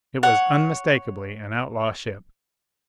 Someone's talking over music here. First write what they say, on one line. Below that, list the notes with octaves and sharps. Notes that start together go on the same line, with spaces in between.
It was unmistakably an outlaw ship.
C#5 F#5